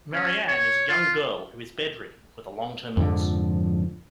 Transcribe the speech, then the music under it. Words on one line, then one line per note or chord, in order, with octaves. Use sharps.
Marianne is a young girl who is bedridden with a long-term illness.
C#4
C#5
F4
F2 G#2 D3 F3